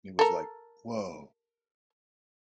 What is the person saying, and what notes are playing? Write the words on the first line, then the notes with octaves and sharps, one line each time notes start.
It was like, 'Whoa!
A4 A#4